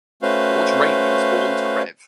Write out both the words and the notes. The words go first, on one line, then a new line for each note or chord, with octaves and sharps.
George Rainy was born to Rev.
A3 C#4 F#4 B4 C5 F5